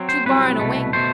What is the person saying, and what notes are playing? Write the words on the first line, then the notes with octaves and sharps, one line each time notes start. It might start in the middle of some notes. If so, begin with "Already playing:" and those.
Two bar and a wing.
Already playing: F#3 C4
C5
C2 C3 F#3 C4 B4
C2 B2 A3
B2 A3 C5